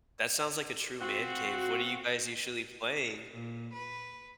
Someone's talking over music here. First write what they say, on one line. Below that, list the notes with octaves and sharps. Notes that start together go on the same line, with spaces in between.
That sounds like a true man cave. What are you guys usually playing?
C4 F4 F#4
A#2
B4